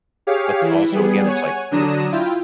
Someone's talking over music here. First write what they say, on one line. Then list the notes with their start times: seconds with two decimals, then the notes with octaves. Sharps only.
but also, again, it's like there,
0.27 G4 G#4 C#5 F5
0.61 E3 E4
0.92 G3 B3 G#4
1.27 C#5 F#5 G#5
1.71 D3 F#3 D4 A#5 D#6 E7
2.12 E4 F4 G5